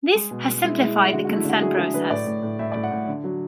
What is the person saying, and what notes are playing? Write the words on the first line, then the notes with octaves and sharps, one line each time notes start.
This has simplified the consent process.
G#3 G#4
B2
G#3
G#3 E4
G#3 E4
G#3
D3 F#4
F#4
A3
E4
D3 F#4
F#3 G#4
D3 G#4
D3 B4
A2 D5
A2
A2
A2 E5
D5
A2
F#5
A2
D3
F#3